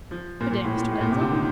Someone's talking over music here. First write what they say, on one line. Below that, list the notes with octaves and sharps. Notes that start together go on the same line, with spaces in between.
Good-day, Mr. Denzil.
F3
A#2
A#2
A2
A#2
A2
A#2
C3
D3
D#3